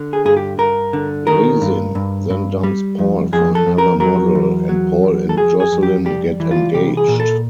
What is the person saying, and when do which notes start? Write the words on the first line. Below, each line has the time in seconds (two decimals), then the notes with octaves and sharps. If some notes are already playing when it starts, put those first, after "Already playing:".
Resin then dumps Paul for another model, and Paul and Jocelyn get engaged.
Already playing: D3
0.13 G#4
0.25 G2 G#4
0.37 G4
0.58 G2 A#4
0.93 D3
1.27 D#3 A#4
1.62 G2
1.95 G2
2.30 G2
2.64 G3
2.99 F2
3.33 F2 G#4
3.55 A4
3.66 F2
3.78 A#4
4.00 F#3 A#4
4.35 E2
4.69 F#3
5.04 E2
5.29 A4
5.37 F2 G#4
5.60 G#4
5.72 F2
5.83 G4
6.06 G3 G4
6.40 E3
6.51 F4
6.74 C2 G4
6.97 G#4
7.08 A#2
7.20 A4